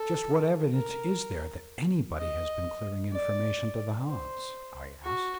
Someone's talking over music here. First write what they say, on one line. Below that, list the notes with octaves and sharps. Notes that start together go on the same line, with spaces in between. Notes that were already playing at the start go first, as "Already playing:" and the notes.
"Just what evidence is there that anybody has been clearing information to the Hans?" I asked.
Already playing: A4
A#4
D#5
D5
C5
F#4